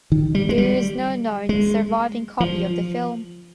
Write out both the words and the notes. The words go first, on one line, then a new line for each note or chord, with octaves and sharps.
There is no known surviving copy of the film.
D#3
G3
G#3
G3
G#3
F3